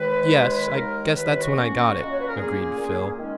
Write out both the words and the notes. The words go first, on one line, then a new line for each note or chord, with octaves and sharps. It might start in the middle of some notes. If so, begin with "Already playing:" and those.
"Yes, I guess that's when I got it," agreed Phil.
Already playing: D#2 D#3 G#3 B4
D#2 D#3 G#3
B4
D#2 D#3 G#3 A#4
D#2 D#3 G#3 B4
B4
F#4
A#2 A#3 C#4
A#2 A#3 C#4
D#5
C#5
B4
A#4
A#2 A#3 C#4 G#4
A#2 A#3 C#4
D#3 G#3 C#4